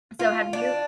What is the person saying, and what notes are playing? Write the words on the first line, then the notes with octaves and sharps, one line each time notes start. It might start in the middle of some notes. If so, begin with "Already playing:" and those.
So have you
F4
D4